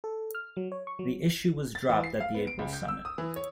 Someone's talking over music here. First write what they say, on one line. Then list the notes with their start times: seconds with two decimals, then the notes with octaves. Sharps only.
The issue was dropped at the April summit.
0.04 A4
0.35 F6
0.57 F#3
0.72 C#5
0.87 C#6
0.99 F#3
1.75 A6
1.90 E3
2.04 C7
2.20 F5
2.35 B3
2.47 D7
2.59 C#2
2.73 G6
2.88 E6
3.05 D#6
3.18 E3
3.36 C#5